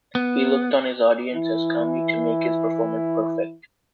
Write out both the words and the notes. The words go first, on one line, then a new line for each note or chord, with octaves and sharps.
He looked on his audience as kami to make his performance perfect.
B3
E3 E4